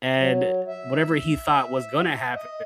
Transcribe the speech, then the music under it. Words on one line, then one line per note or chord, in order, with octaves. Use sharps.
and eh whatever he thought was gonna happen
F#3
E5
D#5